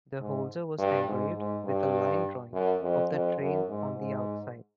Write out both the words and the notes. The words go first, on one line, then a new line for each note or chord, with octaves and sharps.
The holder was engraved with a line drawing of the train on the outside.
G#2
G2
G#2
G#2
G2
F#2
F2
F2
F#2
G#2
G#2